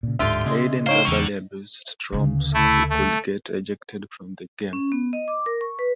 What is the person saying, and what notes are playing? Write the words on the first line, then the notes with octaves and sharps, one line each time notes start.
Layden verbally abused Strom so he could get ejected from the game.
A#2 C#3
D1 G#2 D3 F4 G4 E5
C#3 G#3
A#3 D#4 C5 C#5 F5 G5
E2 D3 C#6
D2 C#3
A3 E4
A3
C#4
B3
D#5
D6
A#4
C#6
B4